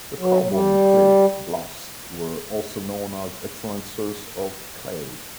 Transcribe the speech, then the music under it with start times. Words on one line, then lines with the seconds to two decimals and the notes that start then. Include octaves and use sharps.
The Carbon Cliff bluffs were also known as an excellent source of clay.
0.19 F#3
0.42 F#3
0.49 G3